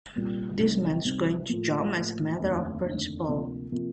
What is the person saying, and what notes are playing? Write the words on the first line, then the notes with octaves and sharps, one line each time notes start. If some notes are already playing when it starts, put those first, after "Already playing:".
This man's going to jump as a matter of principle.
C2 A#2 G3
C2 C3 G3 C4 D#4
C2 C3 G3 C4 D#4
A2 F3 A#3
A2 F3 A#3
F1 D#2 D3 A3 D#4
F1 D#2 D3 A3 D#4
D2 C3 F3 A#3
C3 F3 A#3